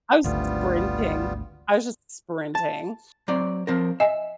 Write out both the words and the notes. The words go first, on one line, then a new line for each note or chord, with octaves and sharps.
I was sprinting. I was just sprinting.
G#1 D2 G3 B3 F4
A5
F#3 C4 D5
F3 C4 A#4
D#5 E5 G#5